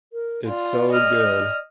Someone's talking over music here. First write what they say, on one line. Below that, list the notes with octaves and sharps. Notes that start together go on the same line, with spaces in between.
it's so good.
A#4
F4 D5
D#5 F6